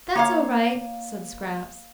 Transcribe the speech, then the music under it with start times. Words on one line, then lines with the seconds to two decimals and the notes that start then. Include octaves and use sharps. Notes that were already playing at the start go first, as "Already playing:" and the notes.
"That's all right," said Scraps.
0.15 A#3 C#5 F5